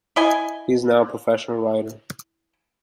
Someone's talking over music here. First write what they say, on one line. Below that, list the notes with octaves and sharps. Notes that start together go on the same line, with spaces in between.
He is now a professional writer.
E4 D#5 G#5